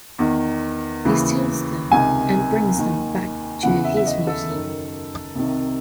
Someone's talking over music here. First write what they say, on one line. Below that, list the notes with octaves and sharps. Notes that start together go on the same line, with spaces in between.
He steals them and brings them back to his museum.
E2 D#3
D#2 C#3 E3
C#2 C3 D#3 G#5
D#2 D#3
E2 C#3 E3 F#5
E5
E5
D#5
A4
F#2 D#3
C2 C3 D#3